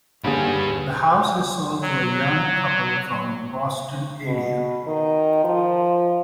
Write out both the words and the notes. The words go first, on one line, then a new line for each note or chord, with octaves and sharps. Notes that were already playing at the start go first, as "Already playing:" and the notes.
The house is sold to a young couple from the Boston area.
D#2 D3 G3 G#4 B4
F#3
B2
D#3
F3